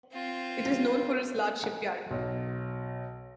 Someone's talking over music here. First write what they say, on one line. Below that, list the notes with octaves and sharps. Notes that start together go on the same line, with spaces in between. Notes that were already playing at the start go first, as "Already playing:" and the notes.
It is known for its large shipyard.
C4 F4
B1